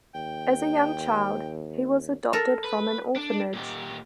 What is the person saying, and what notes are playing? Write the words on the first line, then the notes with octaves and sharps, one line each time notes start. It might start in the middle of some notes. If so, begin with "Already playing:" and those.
As a young child, he was adopted from an orphanage.
D#2 G5
A4 A#4
B4
D4
A#2 G4